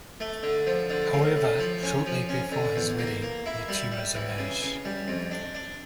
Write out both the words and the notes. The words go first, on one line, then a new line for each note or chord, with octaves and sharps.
However, shortly before his wedding, new tumors emerged.
A3
D3
F3
D3
A2
A2
F3
C#4
F3
C#4
D3
E2
A#3
A#3
E4
G3
G3
E3
C#3
C#3
G3
F2
D4
D4